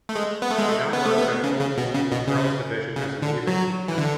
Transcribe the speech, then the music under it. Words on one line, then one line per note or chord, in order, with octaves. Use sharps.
She now works at Bolton School Girls Division as a music teacher.
A3
G#3
B3
A3
G#3
A3
B3
A3
B3
C#3
C#3
B2
C#3
B2
C#3
C#3
D3
F#3
E3
D3